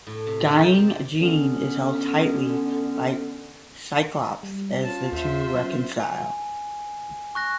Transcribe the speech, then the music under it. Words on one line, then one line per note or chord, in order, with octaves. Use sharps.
Dying, Jean is held tightly by Cyclops as the two reconcile.
A2
C3
A#4
G5
C4
D5
D3 B3 C#4
G3
C#4 F4 A5
D#2 C5 E5
F#3 C#4
G#5
C#6 F#6 A#6